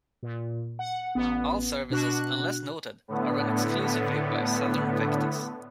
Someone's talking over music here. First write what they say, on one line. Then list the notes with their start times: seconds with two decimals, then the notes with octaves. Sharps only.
All services, unless noted, are run exclusively by Southern Vectis.
0.23 A#2
0.79 F#5
1.15 A1 B3
1.90 B2 D4 F#4 F#6
3.08 A2 D3 B3